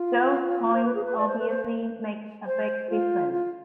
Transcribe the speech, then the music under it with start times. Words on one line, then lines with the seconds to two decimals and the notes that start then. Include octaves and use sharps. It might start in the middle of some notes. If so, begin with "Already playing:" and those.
Those points obviously make a big difference.
Already playing: F4
0.74 C5
0.85 B4
0.95 G#4
1.04 B4
1.17 D5
1.28 C5
1.39 B4
1.49 C5
2.46 C5
2.90 F4
3.33 F4